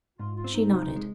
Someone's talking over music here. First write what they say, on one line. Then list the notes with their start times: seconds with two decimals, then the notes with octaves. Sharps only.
She nodded.
0.19 G#2 F4
0.36 F4
0.44 C4
0.54 D#4
0.71 C3
0.96 G#3